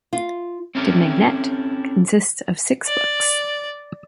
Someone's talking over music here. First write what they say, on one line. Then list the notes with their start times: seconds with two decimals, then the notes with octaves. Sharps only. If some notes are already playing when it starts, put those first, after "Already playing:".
"De Magnete" consists of six books.
0.13 F4
0.75 C4 C#4 E4 G4 A4 A#4
2.87 D5